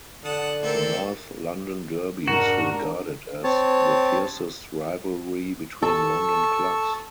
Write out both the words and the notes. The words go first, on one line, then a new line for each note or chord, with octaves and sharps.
The North London Derby is regarded as the fiercest rivalry between London clubs.
D3 F#5 A5 D#6
D2 C4 A4 A#4 E5
F1 G#2 D4 F#4 A#4
C4 C#5 A5
A4 A5 C#6 E6